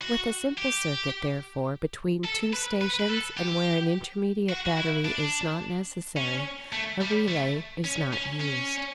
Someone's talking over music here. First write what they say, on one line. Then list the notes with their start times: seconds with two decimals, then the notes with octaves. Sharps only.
With a simple circuit, therefore, between two stations and where an intermediate battery is not necessary, a relay is not used.
0.02 F#4
0.57 G4
2.25 A4
2.53 B4
2.81 B4
2.99 B4
3.09 A4
3.37 G4
4.49 F#4
4.66 F#4
4.77 E4
5.05 D4
6.17 C#4
6.73 A3
7.01 G3
7.29 A3
7.84 C#4
8.13 C#4
8.40 C#4